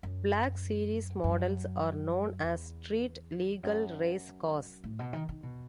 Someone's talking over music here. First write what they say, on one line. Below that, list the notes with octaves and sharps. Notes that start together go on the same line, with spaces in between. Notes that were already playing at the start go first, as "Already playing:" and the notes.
Black Series models are known as street legal race cars.
F#2
F#2
E2
F#2
A2
B2
D#3
D#3
B2